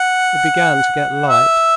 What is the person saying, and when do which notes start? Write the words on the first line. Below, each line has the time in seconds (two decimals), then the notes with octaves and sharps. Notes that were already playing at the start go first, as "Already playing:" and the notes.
It began to get light.
Already playing: F#5
1.28 E5